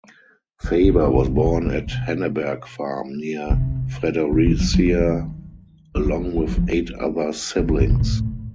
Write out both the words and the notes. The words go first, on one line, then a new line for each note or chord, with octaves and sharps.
Faber was born at Henneberg Farm near Fredericia along with eight other siblings.
C#3
C#3
A2
A#2
B2
C3
B2
C3
C#3
B2
C3
C3
E3
F#3
F#3
E3
D#3
F3
F3
E3
F#3
F#3
F3
D#3
D3
A2
A#2
A2